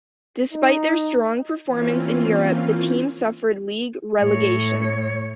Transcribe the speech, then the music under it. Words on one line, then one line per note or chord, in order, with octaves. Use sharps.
Despite their strong performance in Europe, the team suffered league relegation.
D#4
E3 A#3 C4 C#4 F4
A2 C#5